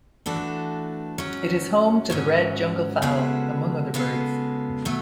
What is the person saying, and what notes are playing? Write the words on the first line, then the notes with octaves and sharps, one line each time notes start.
It is home to the red jungle fowl among other birds.
E3 A3 D4 F#4 A4
G#2 F#3 C#4
G#2 F#3 C#4
C#3 G#3 B3 F#4 A4
C#3 G#3 B3 F#4 A4
B2 F#3 A3